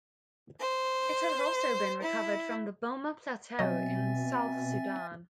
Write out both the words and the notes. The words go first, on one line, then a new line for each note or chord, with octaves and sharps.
It has also been recovered from the Boma Plateau in South Sudan.
C5
E4
B2 F#3 C4 D#5 E5 G#5 A6